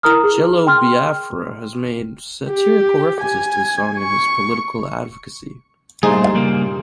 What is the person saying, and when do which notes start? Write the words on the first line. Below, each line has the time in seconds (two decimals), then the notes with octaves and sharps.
Jello Biafra has made satirical references to the song in his political advocacy.
0.03 E4 A#4 A#5 D#6 F6
0.24 G#4
0.67 G5 C6 F6
2.51 G4
3.21 G#5
3.99 C#6
6.03 G2 A#2 G3 A3 D#4 G#4 C5 C6
6.35 C#3 G3 A#3